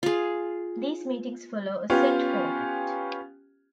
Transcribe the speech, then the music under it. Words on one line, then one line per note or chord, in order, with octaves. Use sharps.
These meetings follow a set format.
F4 G#4
B3 C#4 F4 G4